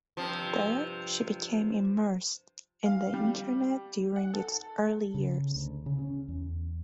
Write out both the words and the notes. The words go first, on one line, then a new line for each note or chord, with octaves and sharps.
There she became immersed in the internet during its early years.
G2 C3 F3
F5
G3
F#5
A4
C#3
D2
C#3
C#4
E2